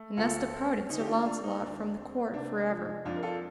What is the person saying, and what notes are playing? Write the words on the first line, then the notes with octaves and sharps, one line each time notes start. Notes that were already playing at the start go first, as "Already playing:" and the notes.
And thus departed Sir Launcelot from the court for ever.
Already playing: A3
D2 F4 A4
C4
D3 D#4
G4
D4 F4
A3 D4 F4
D#4
D2 D4
C4
C3 D4
F3
F2 D4 F4
A#4
F4 A4